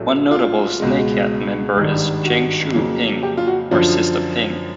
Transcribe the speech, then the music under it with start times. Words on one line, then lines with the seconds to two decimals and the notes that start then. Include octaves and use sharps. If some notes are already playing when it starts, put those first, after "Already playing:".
One notable snakehead member is Cheng Chui Ping or "Sister Ping".
Already playing: A#1 A2 F#3 A3
0.31 F4
0.80 C#2 B2 G#3
1.77 G#1 G2 D#3 G3
2.25 F#4
2.74 F2 C#3 F#3 A#3
3.23 G4
3.37 F4
3.47 F#4
3.71 F#2 D3 F3 F4